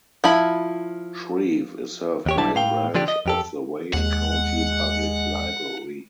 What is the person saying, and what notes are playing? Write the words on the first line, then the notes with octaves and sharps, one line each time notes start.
Shreve is served by a branch of the Wayne County Public Library.
F3 E4 B5
D#2 G4 C#5
B1 G3 D4 E4 A5
A2 F5 G5
D3 F3 D4 G4
D#5
F2 G4 A4
D#2 G#3 F#5